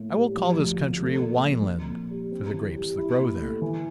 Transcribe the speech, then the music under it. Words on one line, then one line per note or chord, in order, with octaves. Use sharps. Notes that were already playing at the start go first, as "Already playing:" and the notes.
"I will call this country Wineland for the grapes that grow there."
Already playing: A2 A#3
G3
F3
D2
C3
A3
A#2
F3
C4
A#2
G3
C4
E3
G3
E4
A#2
A3
E3